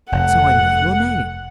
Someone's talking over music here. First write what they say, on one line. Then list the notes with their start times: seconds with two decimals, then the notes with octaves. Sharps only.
"So I know your name."
0.12 F1 F#5